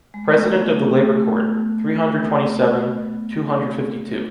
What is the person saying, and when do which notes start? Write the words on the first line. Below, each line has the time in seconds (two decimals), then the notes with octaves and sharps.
President of the Labor Court, three hundred twenty seven, two hundred fifty two.
0.14 G#3
0.24 A3
0.34 B3
0.65 A3
0.97 A3
2.23 B3